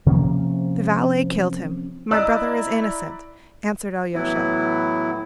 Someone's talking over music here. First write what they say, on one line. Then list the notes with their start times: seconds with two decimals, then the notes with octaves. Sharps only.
"The valet killed him, my brother is innocent," answered Alyosha.
0.06 C3 F3 A#3 C#4
2.11 E4 D5 D#5 A#5 E6 F#6 B6
4.14 A2 E3 F#3 B3 E4